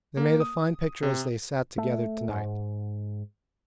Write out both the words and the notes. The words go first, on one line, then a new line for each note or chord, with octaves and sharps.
They made a fine picture as they sat together to-night.
A#3
D#6
C3
A3
G#2